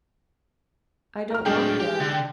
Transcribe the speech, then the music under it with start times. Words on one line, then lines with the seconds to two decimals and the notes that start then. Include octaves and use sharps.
I don't want that.
1.30 A#4 F6
1.46 A2 G#3 D4 G5
1.80 G4
2.00 D3